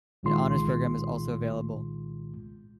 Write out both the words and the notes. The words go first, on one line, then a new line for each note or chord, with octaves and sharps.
An Honors Program is also available.
C2 A#2 D#3 G#3 F4 C6